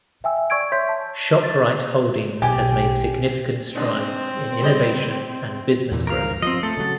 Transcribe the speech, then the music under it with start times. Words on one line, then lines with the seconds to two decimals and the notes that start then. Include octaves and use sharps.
Shoprite Holdings has made significant strides in innovation and business growth.
0.24 E5 G5 G#5 E6
0.50 D5 C#6 E6 G#6 D7
0.72 C#5 E5 C6 G6 B6
0.89 A5
1.43 A6
2.42 B1 G4 G#5
3.75 G#3 C4 D4 D#4
4.61 G3 C5 D#5
5.92 E2 A#2 E3
6.07 C#2 G2 A#4 F5
6.42 F3 C4 D#5
6.63 A3 A4
6.77 C#3 F#3